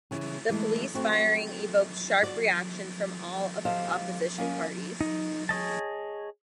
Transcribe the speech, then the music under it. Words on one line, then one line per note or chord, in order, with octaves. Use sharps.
The police firing evoked sharp reaction from all opposition parties.
C#3 E3
E3 G#3 A3
A3 C4 F#4
F#4 D5
G4 A4 C5 D#5 F5
A#3 C#4 D#4 A#4
D#4
G#4 C#5 D#5 A5